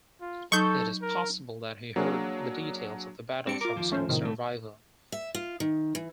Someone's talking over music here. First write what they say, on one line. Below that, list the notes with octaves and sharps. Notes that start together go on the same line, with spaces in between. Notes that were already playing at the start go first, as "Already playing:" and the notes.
It is possible that he heard the details of the battle from some survivor.
F4
F#3 D#4 A4 C#6 G6
A#4
F#3 A#3 D4 F#4 G#4 A#4
G3 C4 D4 C#7
F4 A#4 D6
D#2 F3
A3 C#4 C5
A2 C3 D#3
C2 A3
E5
F4
D#3
E3